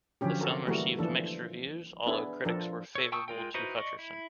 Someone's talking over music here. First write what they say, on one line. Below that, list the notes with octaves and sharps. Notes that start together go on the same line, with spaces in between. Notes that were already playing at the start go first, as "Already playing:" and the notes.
The film received mixed reviews, although critics were favorable to Hutcherson.
D3 F3 F#3 C#4 G4
F#4 A4 A#4
E3 G3 A3 A#3 F#4 A#4
E3 F3 A#3 D4 A4
B3 D4 E4 G#4
F3 D4 A4 A#4
A4 C#5
G5 A5 C#6 D#6 E6
G#3 F4 A#4 G5
D#4 E4 F#4 B4 C5
D5 D#5 C#6
E4